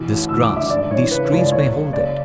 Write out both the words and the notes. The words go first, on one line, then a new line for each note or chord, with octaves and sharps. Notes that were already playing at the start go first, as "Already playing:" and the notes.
This grass, these trees, may hold it.
Already playing: B2 E3
A1
D2 E6
D6
D3
E5
G#1 D5
E3 C#5
C#3 B4
C#5
C#2
D5
F#1 C#5
F#1
C#3 D5